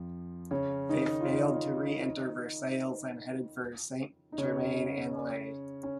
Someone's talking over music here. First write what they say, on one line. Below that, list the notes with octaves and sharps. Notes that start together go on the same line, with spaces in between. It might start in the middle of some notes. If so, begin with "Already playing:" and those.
They failed to re-enter Versailles and headed for Saint-Germain-en-Laye.
Already playing: F2 F3
C#3 C#4
D#3 D#4
F4
D#3 D#4
D#4
C#3 C#4
C#4